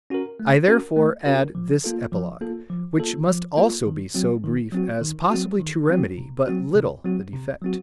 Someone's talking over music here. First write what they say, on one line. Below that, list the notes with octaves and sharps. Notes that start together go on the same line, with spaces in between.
I therefore add this epilogue, which must also be so brief as possibly to remedy but little the defect.
C#4 F#4 A#4
A3
C#4 F#4 A#4
A3
C#4 F#4 A#4
F3
A#3 F4 A4
F3
A#3 F4 A4
F3
A#3 F4 A4
F3
A#3 F4 A4
D#3
F#3 C4 F#4
D#3
F#3 C4 F#4
D#3
F#3 C4 F#4
D#3
F#3 C4 F#4
C3
F#3 C4 F#4
C3
F#3 C4 F#4
C3
F#3 C4 F#4